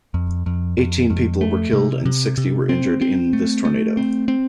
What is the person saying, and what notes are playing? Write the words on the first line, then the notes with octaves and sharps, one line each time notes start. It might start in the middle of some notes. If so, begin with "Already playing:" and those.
Eighteen people were killed and sixty were injured in this tornado.
F2
F2
F2
F2
A3
C3
C3
C3
C4
C4
A3
A3
C4
C4